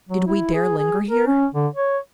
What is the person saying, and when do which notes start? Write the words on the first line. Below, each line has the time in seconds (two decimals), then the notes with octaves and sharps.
Did we dare linger here?
0.09 F#3
0.27 E4
0.54 G#4
0.78 G#4
1.10 A#4
1.27 C#4
1.54 D3
1.75 C#5